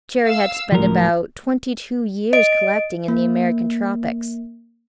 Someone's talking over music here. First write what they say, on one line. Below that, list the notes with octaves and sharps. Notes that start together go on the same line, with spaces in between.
Cherrie had spent about twenty-two years collecting in the American tropics.
F5 E6
C#2 A2 F3 F#3 A#4
D#5 D7
A#3